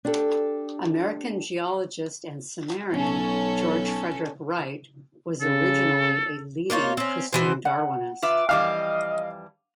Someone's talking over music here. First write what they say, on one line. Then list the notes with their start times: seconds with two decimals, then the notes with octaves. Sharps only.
American geologist and seminarian George Frederick Wright was originally a leading Christian Darwinist.
0.05 D4 G4 A4
2.92 B1 C#4 A4
5.41 C#3 A4
6.70 A#3 D#4 F4 C#5
6.97 C4 C#4
7.33 B2 E3 C5
7.65 F#5
8.22 F4 B4 E5 D6
8.49 F2 E3 G3 D#5 F5 D6